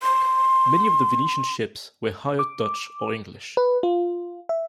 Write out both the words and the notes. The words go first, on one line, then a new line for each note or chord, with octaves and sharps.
Many of the Venetian ships were hired Dutch or English.
C6
D6
B4
F4
E5